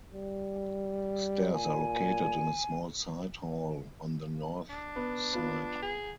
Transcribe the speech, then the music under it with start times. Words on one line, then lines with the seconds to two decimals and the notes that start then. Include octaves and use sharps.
Stairs are located in a small side hall on the north side.
0.14 G3
1.53 A#2 G#5
4.70 D4
4.96 B3
5.33 B3 F4
5.82 G#4